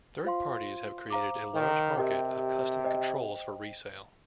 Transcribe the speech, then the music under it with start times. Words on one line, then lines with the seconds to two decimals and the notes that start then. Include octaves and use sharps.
Third parties have created a large market of custom controls for resale.
0.24 F4 C5 F5 C6
1.10 C5 F5 A#5 D6
1.55 D#3
1.97 C3 G4 A#4 D#5 G5
2.84 C5 D#5 G5